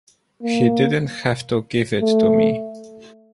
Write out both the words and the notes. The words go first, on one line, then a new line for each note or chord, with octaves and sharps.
He didn't have to give it to me.
A#3
A3